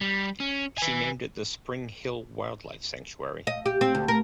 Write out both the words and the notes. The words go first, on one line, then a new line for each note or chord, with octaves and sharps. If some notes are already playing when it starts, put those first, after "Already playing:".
She named it the "Spring Hill Wildlife Sanctuary".
G3
C#4
B4 G#5
D#5
G4
C4
D2
A#4